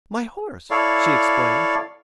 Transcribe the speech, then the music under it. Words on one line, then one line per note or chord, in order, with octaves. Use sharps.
"My horse," she explained.
E4 A4 C#5 D5 F5